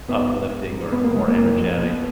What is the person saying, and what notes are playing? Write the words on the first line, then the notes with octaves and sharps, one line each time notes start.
uplifting or more energetic.
G#2 B3
G#1
G#1
G#2
F#1 B3
A#3
C#3 G#3
A#3
F#1
F2
B2